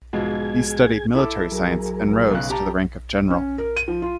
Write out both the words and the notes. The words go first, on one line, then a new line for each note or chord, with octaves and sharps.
He studied military science and rose to the rank of general.
G#2 B2 F3 G#4 G#6
E4 A4 D6
F#3 G#4 A#4
B1 C#3 F#6
G4 A5 A#5
C#4
A#4
D#7
F3
F4